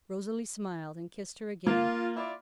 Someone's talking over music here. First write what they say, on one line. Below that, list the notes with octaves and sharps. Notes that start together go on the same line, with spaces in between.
Rosalie smiled and kissed her again.
A#3 F4
E4 F4 D5